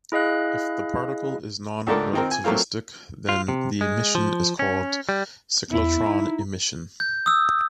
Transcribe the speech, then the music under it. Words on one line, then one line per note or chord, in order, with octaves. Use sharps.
If the particle is non-relativistic, then the emission is called cyclotron emission.
E4 G#4 D#5 F5 F#6
C#2 G#2 A3 D4 A4 A#4
D#3 C4 A#4
G#5
F#3 A3 A#3 C4 F4
F4
C3
G#3
F3
C#4
G3
E2 E4
D#4
G6
D#6 E6